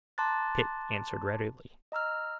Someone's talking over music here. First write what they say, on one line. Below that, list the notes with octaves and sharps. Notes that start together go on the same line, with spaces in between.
Pitt answered readily.
A5 A#5 C6 D6 F#6 A6
D#5 A#5 E6 F6